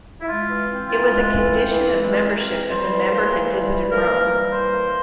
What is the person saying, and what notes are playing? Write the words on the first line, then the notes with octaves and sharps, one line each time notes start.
It was a condition of membership that the member had visited Rome.
E4
G#3 F4
E3
C4
E3 F4
G#3
E3
C4
E3
G#3
E3 F4
C4 A#4
E3
G3 C5
E3
A#3
E3
G3
E3
A#3 A#4
E3
G3
E3 C5
A#3